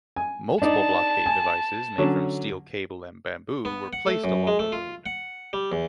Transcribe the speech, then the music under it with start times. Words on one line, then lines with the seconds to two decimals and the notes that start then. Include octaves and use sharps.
Multiple blockade devices made from steel cable and bamboo were placed along the road.
0.16 G#5
0.62 D4 D#4 D5 A5
1.26 G#5
1.98 D3 F#3 C#4
3.65 B3
3.93 F#5
4.07 A3
4.24 F#2
4.47 G#3
4.59 A3
4.72 F4
5.06 F#5
5.53 G3
5.72 E2